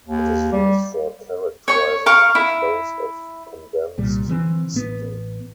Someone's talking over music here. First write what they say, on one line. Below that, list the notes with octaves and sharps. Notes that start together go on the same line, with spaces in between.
It is used for characterizing the flows of condensed steam.
D#2
G3
C#5 C#6
A#4 F5 C#6
E4
C2 A#2 G3
D3 E3 G3 C4
A1 B3